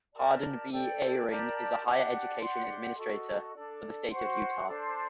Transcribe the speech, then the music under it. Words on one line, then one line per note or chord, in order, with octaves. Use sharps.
Harden B. Eyring is a higher education administrator for the State of Utah.
G4 A#4 D5 A5
A4 D5 G5
G4 A#4 D5 A5
D4 G4 D5 F#5
G4 D5 F#5 C6
F#4 A4 D#5
D4 A4 D5
F#4 C5 F#5 C6
D4 A4 C5